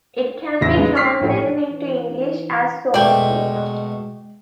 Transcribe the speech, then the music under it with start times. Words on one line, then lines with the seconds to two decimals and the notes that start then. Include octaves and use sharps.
It can be translated into English as "sauce cook".
0.61 A1 E2 E5 A#6
0.74 G#3 C#4 D#4 B4
0.94 C#6 D6 F6 B6 C7
1.21 A#1 A2 G4
1.71 E3
2.94 B2 G#3 A3 D5 G5